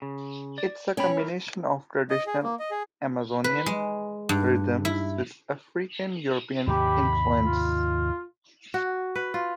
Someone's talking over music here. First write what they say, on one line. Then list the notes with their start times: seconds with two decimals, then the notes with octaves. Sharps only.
It is a combination of traditional Amazonian rhythms with African and European influence.
0.02 C#3
0.58 D5
0.97 B1 C#4 G5 B5
1.17 E4 A#4
2.10 D#5
2.27 G#4
2.43 A#3
2.59 D#5
2.71 G#4
3.44 B4
3.66 G#3
4.29 G2
4.85 E4
6.67 D#2 G#2 C3 G4 B5
7.40 F4
8.74 F#4
9.15 B4
9.34 F4